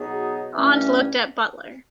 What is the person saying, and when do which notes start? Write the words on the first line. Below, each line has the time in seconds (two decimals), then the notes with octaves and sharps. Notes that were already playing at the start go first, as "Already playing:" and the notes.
Aunt looked at butler.
Already playing: B2 F#3 B3 D#4 G#4
0.53 G2 E3 A3 C#4